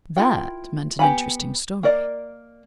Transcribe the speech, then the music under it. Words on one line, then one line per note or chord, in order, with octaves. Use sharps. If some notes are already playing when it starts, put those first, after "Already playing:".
That meant an interesting story.
E4 F4 A#4 F#5 G5
B3 G4 F#5 G#5 B5
A#3 A#4 D5 D#5